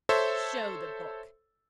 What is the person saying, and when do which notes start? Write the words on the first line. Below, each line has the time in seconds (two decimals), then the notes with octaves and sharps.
"Show the book."
0.09 A4 C5 C#5 E5